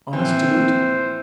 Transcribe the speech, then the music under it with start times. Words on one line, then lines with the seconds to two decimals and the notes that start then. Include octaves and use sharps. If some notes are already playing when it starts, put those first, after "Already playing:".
Honest, to boot.
0.13 A#1 E3 C4 C5